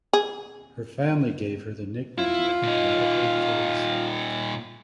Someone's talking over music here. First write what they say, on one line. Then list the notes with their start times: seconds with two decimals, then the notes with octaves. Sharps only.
Her family gave her the nickname of "Radical Theresa".
0.13 G#4
2.18 E4 F4
2.63 A#2 D#4